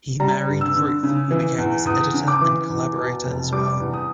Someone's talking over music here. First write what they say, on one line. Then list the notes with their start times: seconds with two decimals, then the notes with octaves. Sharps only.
He married Ruth, who became his editor and collaborator as well.
0.20 G3 A#5
0.48 G2
0.61 E6
0.75 D3
1.03 C#3
1.31 E3
1.58 E2
1.85 E2 D#6
2.14 C#3
2.28 D6
2.41 E3
2.69 E2
2.96 B2
3.25 F1
3.52 G3 D6
3.80 E2
3.93 D#6